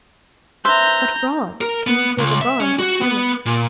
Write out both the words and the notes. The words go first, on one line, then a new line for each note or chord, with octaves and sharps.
What bronze can equal the bronze of "Hamlet"?
B4 C5 E5 A#5 G6
A#4
B3
C#2
E5
C#4
F#4
B3
A#2